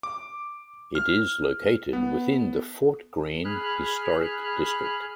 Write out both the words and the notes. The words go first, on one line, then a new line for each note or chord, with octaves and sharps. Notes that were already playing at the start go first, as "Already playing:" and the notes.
It is located within the Fort Greene Historic District.
D6
F6
B3
G#4 B5 F6 F#6